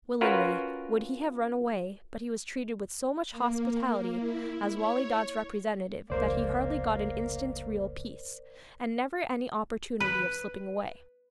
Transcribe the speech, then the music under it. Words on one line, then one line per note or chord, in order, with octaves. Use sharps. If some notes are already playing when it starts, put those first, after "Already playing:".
Willingly would he have run away; but he was treated with so much hospitality as Wali Dad's representative, that he hardly got an instant's real peace, and never any opportunity of slipping away.
C#4 F4 F#4 A#4 B4
A#3
E4
C#5
F1 C#2 A#3 A#4 C5 D5
B4